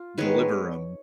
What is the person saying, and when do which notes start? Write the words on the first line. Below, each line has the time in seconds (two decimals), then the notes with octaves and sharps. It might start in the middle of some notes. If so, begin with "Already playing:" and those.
deliver 'em.
Already playing: F4
0.18 D#3 G#3 B3 B4 C#5